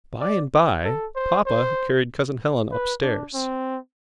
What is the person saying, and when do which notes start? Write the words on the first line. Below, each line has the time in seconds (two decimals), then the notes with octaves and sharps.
By and by, Papa carried Cousin Helen up stairs.
0.21 D5
0.84 A4
1.16 C5
1.46 C5
2.72 B4
3.03 D4
3.34 C4